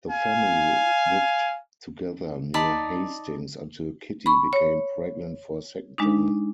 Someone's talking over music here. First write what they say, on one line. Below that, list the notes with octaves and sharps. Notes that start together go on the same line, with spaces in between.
The family lived together near Hastings until Kittie became pregnant for a second time.
F5 G#5
D#4 D5 A5 B5
B5 C#6
C#5
G#3 D4 D#4